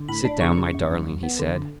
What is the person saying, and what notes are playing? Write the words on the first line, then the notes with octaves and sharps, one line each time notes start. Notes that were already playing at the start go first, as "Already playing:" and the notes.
"Sit down, my darling," he said.
Already playing: D3
A2 B5
D4
C#3 C#6
C#3
F#2
F#2
F#2
B3
D3
D3